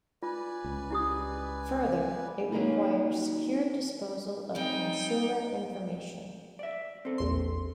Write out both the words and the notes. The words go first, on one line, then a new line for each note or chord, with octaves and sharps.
Further, it requires secure disposal of consumer information.
F4 B4 D5 G#5
C#2
E4 G4 D#6
D#3 F#3 A#3 C#4 D#4 B4
G3 C4 C#4 D#4 G5
D5 E5
C4 A4
A#1 E2 C6